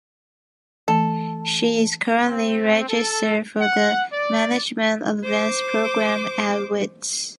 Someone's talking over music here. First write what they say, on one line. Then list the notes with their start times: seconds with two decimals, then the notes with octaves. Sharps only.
She is currently registered for the Management Advanced Programme at Wits.
0.88 E3 A3 A4
2.26 C4
2.89 A4
3.60 F#5
4.13 D5
5.24 C5 D6